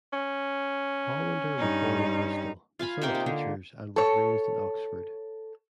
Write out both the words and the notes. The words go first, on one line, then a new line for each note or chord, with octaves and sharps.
Hollander was born in Bristol, the son of teachers, and was raised in Oxford.
C#4
G2 D#4
F4 F5 G#5 B5
C3 D#4 A#4 G5
A#3
D3
A4 C#5